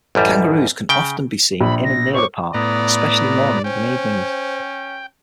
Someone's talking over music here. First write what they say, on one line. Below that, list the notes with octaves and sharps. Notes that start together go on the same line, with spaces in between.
Kangaroos can often be seen in and near the park, especially mornings and evenings.
A1 F#2 G3
C#3 G5
A#1 B5
A#6
C5 C#5 C#6 D6
A2 B3 D5 A#5 D#6
C#4 C5 G5